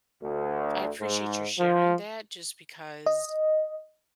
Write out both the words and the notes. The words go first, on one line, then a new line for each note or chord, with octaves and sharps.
I appreciate your sharing that just because,
D2
G#2
F3
D#5